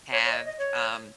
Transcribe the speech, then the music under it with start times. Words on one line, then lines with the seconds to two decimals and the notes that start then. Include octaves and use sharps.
have, um,
0.11 C#5
0.24 C#5
0.31 D#5
0.45 D#5
0.58 C#5